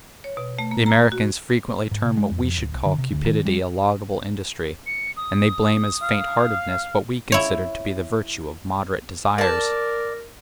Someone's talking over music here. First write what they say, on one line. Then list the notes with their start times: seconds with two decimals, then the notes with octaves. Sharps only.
The Americans frequently term what we should call cupidity a laudable industry; and they blame as faint-heartedness what we consider to be the virtue of moderate desires.
0.24 C#5
0.37 B2
0.59 A3
0.71 A#3
0.86 A#5
1.12 F#4
1.91 G#2
2.05 C3
2.17 G#3
2.31 F2
2.43 F2
2.57 D1
2.74 B1
2.86 D3
2.98 C3
3.12 D2
3.26 D#3
3.45 G3
4.86 C#7
5.17 D#6
6.02 F5
7.32 E4 C#5
9.38 A#4 D5 A5